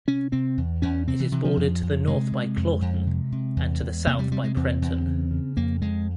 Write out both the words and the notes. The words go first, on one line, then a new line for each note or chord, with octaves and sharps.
It is bordered to the north by Claughton and to the south by Prenton.
C3 C#4
C3 C4
E2
E2 C#4
C3 C4
E3
C3 E3
F3
F2
F2
C3 G#3
C3
F2
F2
C3
C3
E2
E2
C3 A#3
G3
C3 G3
G#3
E2 C4
E2
C#3
C#3
F2 A#3
F2 G#3